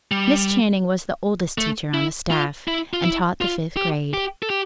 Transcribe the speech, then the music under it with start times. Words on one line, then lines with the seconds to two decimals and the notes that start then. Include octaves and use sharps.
Miss Channing was the oldest teacher on the staff, and taught the fifth grade.
0.11 G3
1.58 A3
1.94 E4
2.31 F4
2.68 E4
2.93 F4
3.04 E4
3.41 F4
3.77 G4
4.13 G4
4.43 A4
4.50 G4